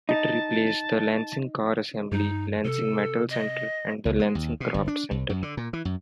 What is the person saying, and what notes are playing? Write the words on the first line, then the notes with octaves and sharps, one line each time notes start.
It replaced the Lansing Car Assembly, Lansing Metal Center, and the Lansing Craft Center.
D#4 A5
G2 D#4
C3 A4
D#5
C#2
G#3
D#2
B2
G1
D4
C2
F#2
D3
A#2
E3
F#2